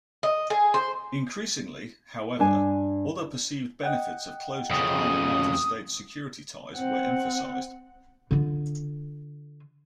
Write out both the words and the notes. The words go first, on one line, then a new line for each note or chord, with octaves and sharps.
Increasingly, however, other perceived benefits of close Japan- United States security ties were emphasized.
D#5
G#4
C5
G2 D4 G#5
D#5 F#5 G5
F2 C#3 D#6
C4 F#5
D3 F4